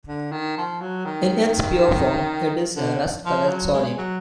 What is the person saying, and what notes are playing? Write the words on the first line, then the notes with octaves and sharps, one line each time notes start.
In its pure form it is a rust-colored solid.
D3
D#3
F3
F#3
D#3
D3
F3
F#3
G#3
F#3